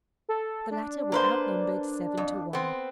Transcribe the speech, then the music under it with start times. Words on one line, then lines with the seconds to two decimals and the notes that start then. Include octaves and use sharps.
The latter were outnumbered seven to one.
0.29 A4
0.71 D4
1.12 A#3 B4 C5
2.17 F2
2.53 B3 C4